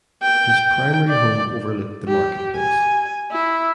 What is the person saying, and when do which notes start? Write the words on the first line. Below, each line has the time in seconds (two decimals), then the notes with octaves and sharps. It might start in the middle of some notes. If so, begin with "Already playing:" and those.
His primary home overlooked the market place.
0.23 G5
0.67 G5
1.09 D5
2.08 G4
2.56 G#5
3.31 E4